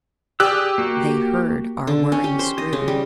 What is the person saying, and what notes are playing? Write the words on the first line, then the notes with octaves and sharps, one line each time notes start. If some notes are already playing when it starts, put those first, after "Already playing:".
They heard our whirring screw.
G4 G#4 D5 E6 F#6
A#3 F#4
D3
C#4
G4
C5
D#5
C#3
G3